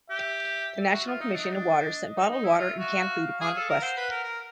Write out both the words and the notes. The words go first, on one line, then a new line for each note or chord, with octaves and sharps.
The National Commission of Water sent bottled water and canned food upon request.
G4 E5
F#4
F4
D#4
D4 D#5
D#4
D4
D#4
D#4
E4
F4 E5
F#4
F5
G#4 F5
A4
A#4
C5 F#5
B4
A#4
A#4